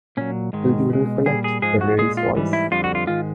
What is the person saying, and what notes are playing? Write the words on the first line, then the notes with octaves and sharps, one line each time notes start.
Do you recollect the lady's voice?
A#2 F#3 C#4
G#2 D#3 G#3
B2 G#3
A#2 G3 G#4
G#4
G#2 F3 G#3 G#4
F#4
A#2 F3 G#3 G#4
F4
G#2 E3 G3
E4
F2 D3 G3 F4
F#4
F4
G#2 D#3 G#3 F4